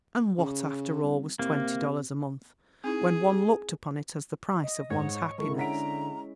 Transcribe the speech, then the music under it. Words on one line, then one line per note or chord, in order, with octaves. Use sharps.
And what, after all, was twenty dollars a month when one looked upon it as the price of one's happiness?
C#3
C2
C3 A#3
C4 D#4 E4 G#4
D#5
G#2 C#5 F#5
D3 G#3 E4 A#4 C#6
C#4 F#5 A#5 B6 D7